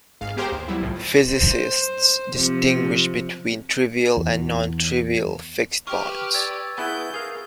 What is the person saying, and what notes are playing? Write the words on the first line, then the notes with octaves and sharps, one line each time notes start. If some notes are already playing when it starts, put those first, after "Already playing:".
Physicists distinguish between trivial and nontrivial fixed points.
G#1 G#2 F5
B3 G4 G#4 A#4 C5
D#2
F#3 G3 B3 E4
C2 A2 F3
C5
C3 F3
E2
G4 B4 C#6 F6
D5 E6 G#6 A6
B3 E4 G#4 B4 G6
G#4 A#4 F5